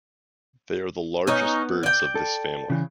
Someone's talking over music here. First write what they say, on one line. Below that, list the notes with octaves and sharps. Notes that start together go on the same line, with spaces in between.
They are the largest birds of this family.
B3 C#4 D#4
D5 G5
A4
C#3 E3